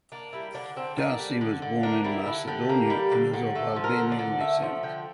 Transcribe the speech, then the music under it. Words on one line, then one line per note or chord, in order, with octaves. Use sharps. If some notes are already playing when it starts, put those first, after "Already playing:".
Daci was born in Macedonia and is of Albanian descent.
A#3 D4
G3 E4
D3 D4
D3 C4
A#3 D4
G3
D3
D3
A#3 D4
G3 E4
D3 E4
D3 G4
A#3
G3
D3
D3
A3 A4
F3
A#4
D3
D5
D3
A3 E5
F3
D3 G5